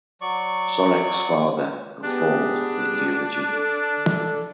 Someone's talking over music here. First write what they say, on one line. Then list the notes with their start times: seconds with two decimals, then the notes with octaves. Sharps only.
Sorek’s father performed the eulogy.
0.21 F#3 D5 C#6
2.03 B3 D4 G4 G#4
3.51 A4